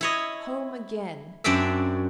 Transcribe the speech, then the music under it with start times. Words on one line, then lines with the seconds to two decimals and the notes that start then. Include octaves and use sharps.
Home again!
0.01 E4 C#5 D#5
1.44 F#2 C4 D4 D5 E5